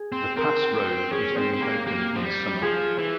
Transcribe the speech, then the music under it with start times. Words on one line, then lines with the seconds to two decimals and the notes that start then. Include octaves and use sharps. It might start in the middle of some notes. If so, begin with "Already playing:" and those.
The pass road is only open in summer.
Already playing: G#4
0.12 C4
0.37 C4 A#4
0.75 C4
1.12 C#4 G#4
1.37 C4 G#4
1.53 C4
1.61 A#3 G4
1.86 A#3 G4
2.16 F3
2.24 G3
2.62 F3 G#4
2.99 E3